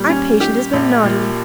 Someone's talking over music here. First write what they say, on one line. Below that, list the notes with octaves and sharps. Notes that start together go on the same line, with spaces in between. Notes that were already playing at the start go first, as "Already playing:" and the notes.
'Our patient has been naughty!
Already playing: A#2 G3
C#4
G4
A#1
A#2